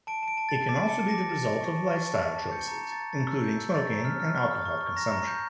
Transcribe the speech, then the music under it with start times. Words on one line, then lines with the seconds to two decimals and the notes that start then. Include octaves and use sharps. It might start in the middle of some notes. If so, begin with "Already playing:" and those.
It can also be the result of lifestyle choices including smoking and alcohol consumption.
0.07 A5 D7
0.23 A5 D7
0.37 A5
0.49 A5 A6
0.69 D6 A6
0.83 A5
0.89 C#7
0.99 A5
1.09 A#6
1.14 D6
1.29 A5 A6
1.44 A5
1.61 C#6
1.76 A5
1.91 C#6 A6
2.07 A5
2.22 A5
2.36 A5
2.51 G6 C#7
2.68 A#5 C#7
2.82 A#5
2.92 A6
2.98 A#5
3.13 A#5 A6
3.28 E6
3.44 G6
3.59 E6
3.74 C#6 A6
3.90 A#5
4.05 F6
4.20 F6
4.35 C#6
4.51 F6
4.66 C#6
4.81 C#6
4.96 A#5 A#6
5.12 A#5
5.27 G6